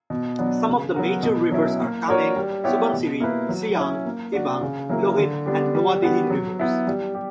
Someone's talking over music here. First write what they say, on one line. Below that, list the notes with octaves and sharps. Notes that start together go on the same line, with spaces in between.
Some of the major rivers are Kameng, Subansiri, Siang, Dibang, Lohit and Noa-Dihing rivers.
B2
F#3 B3 D4
C#3
F#3 B3 F#4 A#4
B2
F#3 C#4 E4
A#3
D4 F#4 A#4 C#5
G3
B3 E4 G4 C#5
B2
A#3 E4 B4
F#3
C#4 E4
A#3
D4 F#4
C#3
F#3 A#3 E4 A#4
D3
G3 B3 D4 G4
G3
B3 D4 F#4 B4
F#3
B3 E4
G3
G4